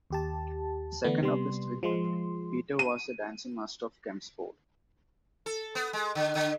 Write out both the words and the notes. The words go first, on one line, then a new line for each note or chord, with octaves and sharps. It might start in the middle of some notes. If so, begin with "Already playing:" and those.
The second of his three brothers, Peter, was a dancing master of Chelmsford.
D#2 G4 A5
D3 E3 A3 B3 D4
C3 G3 B3 C6
F3 G#3 C6
D#7
A4
B3
G#3
D3
D3